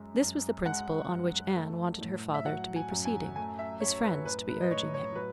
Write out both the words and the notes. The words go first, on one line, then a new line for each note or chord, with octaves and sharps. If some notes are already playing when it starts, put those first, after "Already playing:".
This was the principle on which Anne wanted her father to be proceeding, his friends to be urging him.
Already playing: F#2 G#3
F#2
G#3 F#5
F#2
A3
A2
E5
F#3 F#5
G#5
F#2
G#5
A3 G#5
E5
F#2 C#5
B4
A2 B4
B4
D#5
A2 C#5
C#5
F#3 B4